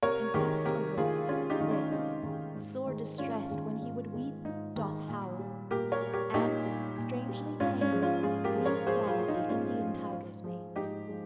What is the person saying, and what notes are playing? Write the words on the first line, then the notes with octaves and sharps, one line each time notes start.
Confessed A wolf, this, sore distressed When he would weep, doth howl; And, strangely tame, these prowl The Indian tiger's mates.
C3 A#4 C#5
D#3 G#3 G4 A#4
C3 G4 A#4
D#3 G#3 F4 G#4
C3 C#4 F4
D#4 G4
D#3 G#3
C#4 F4
C3 D#4
D#3 G#3
G#2
D#3 G#3
G#2 C#4 F4
D#3 G#3
G#2
D#3 G#3
G#2 D#4
D#3 G#3
A#2
G3
A#2 G4 A#4
A#4 C#5
G3
G4 A#4
A#2 D#4 G4
G3
A#2
G3
G#2 C#4 F4
C#4
F3 G#3
C#4 F4
G#2 F4 G#4
G4 A#4
F3 G#3
A#4 C#5
G#2 G#4 C5
F4 G#4
F3 G#3
D#4
G#2 C#4 F4
F3 G#3
G#2
F3 G#3
G#2 D#4 G4
F3 G#3